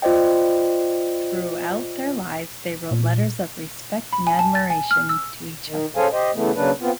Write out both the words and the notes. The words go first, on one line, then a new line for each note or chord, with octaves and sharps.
Throughout their lives, they wrote letters of respect and admiration to each other.
F4 C5 D5 D#5 G5
A#2
B5
G#5
A5
A6
G#5
F6
E6
D#3
C#4 G#4 A4 C5 F5 G#5
G4 C5 D#5
C#3 E3 A3 B3
C#3 F#3 A#3 D4 B4
B3 C4 F4